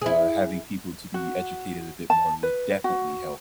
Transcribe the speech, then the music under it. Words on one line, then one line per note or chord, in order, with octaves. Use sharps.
uh, having people to be educated a bit more would definitely help.
E4 G#4
F#4
A5
B4
F#4